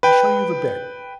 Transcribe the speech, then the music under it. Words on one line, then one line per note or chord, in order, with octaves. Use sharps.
I show you the bed.
B4 G5